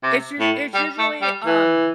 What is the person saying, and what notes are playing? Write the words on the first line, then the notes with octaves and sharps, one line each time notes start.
it's usu it's usually, um,
C3
A2
G3
A3
G3
E3